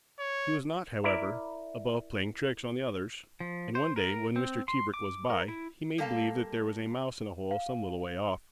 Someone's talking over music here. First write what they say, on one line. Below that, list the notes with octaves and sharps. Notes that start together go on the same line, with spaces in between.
He was not, however, above playing tricks on the others, and one day when Mr. Tebrick was by, he made believe that there was a mouse in a hole some little way off.
C#5
E4 A#4 D5
F3
C5
A#4
C4
C6
D6
A#4
E4
G3 A#3 A4 F5 A5
F5